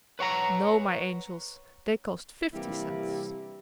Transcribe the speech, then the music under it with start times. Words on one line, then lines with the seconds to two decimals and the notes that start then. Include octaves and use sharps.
"No, my angels; they cost fifty cents."
0.19 B4 C#5 F#5 A#5
2.53 C3 E3 G3 A#3 D4 E4